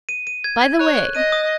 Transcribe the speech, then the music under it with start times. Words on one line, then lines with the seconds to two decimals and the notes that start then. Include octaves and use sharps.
"By the way!"
0.09 D#7
0.27 D#7
0.44 G#6
0.62 G#6
0.79 C#5 F#6
0.97 F#6
1.15 D#5 D#7
1.32 D#6